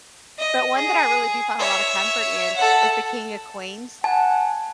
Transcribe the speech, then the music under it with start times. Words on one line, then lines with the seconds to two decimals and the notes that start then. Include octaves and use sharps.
But one that I really do find a lotta comfort in is the King of Queens.
0.38 D#5
0.76 G#4
1.59 C#5 E5
2.56 A4 F#5
4.04 F#5 G#5 A5